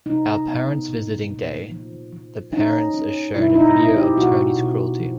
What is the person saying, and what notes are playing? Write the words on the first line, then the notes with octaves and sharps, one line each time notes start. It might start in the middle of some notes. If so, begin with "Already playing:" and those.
On parents' visiting day, the parents are shown a video of Tony's cruelty.
C3 D#4
B3
A#2
A#2
F3
F3
C#4 D#4
C#4
B2 E4
E4
D#4
C4 E4
G4
B2 F#4
B2
F3